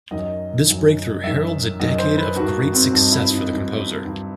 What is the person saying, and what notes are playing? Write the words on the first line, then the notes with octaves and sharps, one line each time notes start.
This breakthrough heralds a decade of great success for the composer.
F#2 D#3 D#5
F#2 D#3
F#2 D#3 E5
F#2 D#3 D#5
C5
B4
G2 D#3 F#4
C4
G2 D#3 D#4
E4
D#4
G2 D#3
G2 D#3